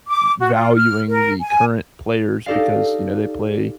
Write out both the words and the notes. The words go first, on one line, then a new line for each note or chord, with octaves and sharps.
valuing the current players because, you know, they play
D6
F#4
F4
F6
A#4
G#5
D#4 G4 A4 D5 F5